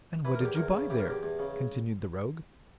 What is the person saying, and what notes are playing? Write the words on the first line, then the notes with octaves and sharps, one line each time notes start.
'And what did you buy there?' continued the rogue.
E3 B4
A#4
E2 G4
E2 A#4
C#3
E3 G4
A#4
E2 G4
E2
C#3